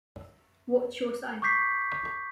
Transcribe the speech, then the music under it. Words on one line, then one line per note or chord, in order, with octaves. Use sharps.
What's your sign?
C#6 D6 G6 B6 C7